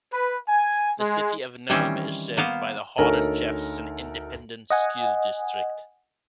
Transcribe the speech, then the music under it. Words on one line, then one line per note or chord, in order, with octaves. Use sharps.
The City of Nome is served by the Hardin-Jefferson Independent School District.
B4
G#5
G#3
D#3 E3 G3 C4 C#4
A#3 B3 C5 F5
D2 D#4 A4 A#4 C#5 G#5
D#5 F#5 G#5